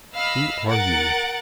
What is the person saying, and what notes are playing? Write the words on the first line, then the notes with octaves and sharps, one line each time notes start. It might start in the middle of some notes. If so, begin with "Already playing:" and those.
Who are you?
D#5 F5 B5 E6
A#4 F#5 A6 D7